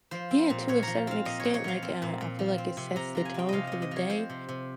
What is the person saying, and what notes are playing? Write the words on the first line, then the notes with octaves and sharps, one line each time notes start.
Yeah, to a certain extent, like, uh, I feel like it sets the tone for the day,
F3 C5
C4
A#2
A#2 C#5
F3 A#5
C4 F5
A#2 D#5
C#5
A#2
C#5
F3 F5
C4
A#2
A#2
F3
C4
C3
C3 A#5
F3 A#5
G#5
C4 G5
C3 D#5 F5
C3 D#5
D#5
F3 C#5
C4 C5
C3
C3